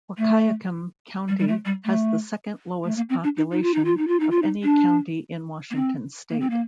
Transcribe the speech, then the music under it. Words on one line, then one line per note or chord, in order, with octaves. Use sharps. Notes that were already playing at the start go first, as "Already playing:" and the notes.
Wahkiakum County has the second lowest population of any county in Washington state.
A3
G3
G3
A3
G3
A3
A3
A#3
C4
D4
D#4
D#4
F4
D#4
F4
D#4
F4
D#4
F4
D#4
D4
A#3
C4
A#3
C4
A#3